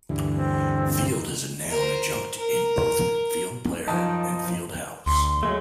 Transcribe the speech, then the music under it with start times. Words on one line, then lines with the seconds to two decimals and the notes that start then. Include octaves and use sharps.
"Field" is a noun adjunct in both "field player" and "fieldhouse".
0.09 D2 G2 E3
0.30 C4
1.15 D#3
1.70 A#4 C5
2.38 A#4
3.87 F#2 F3 D#4 D#5 G5 A5
5.06 D2 C6
5.43 F#3 G#3 A3